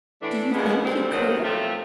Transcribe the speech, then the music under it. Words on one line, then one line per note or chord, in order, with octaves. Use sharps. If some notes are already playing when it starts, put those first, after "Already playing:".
"Do you think you could?"
A2 E3 A3 D4
D#2 C#3 F3 G#3 B3
D2 D3 G3 C4
E2 C3 D#3 F#3
C3 F3 A3